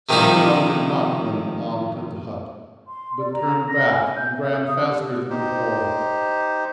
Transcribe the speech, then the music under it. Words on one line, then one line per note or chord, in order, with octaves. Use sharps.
Semyon did not run on to the hut, but turned back and ran faster than before.
C3 D#3 F3 G3 D#4 E4
C6
D5
A#5
A#6
G#5
G6
E5
D#6
G4
D#4 G4 C5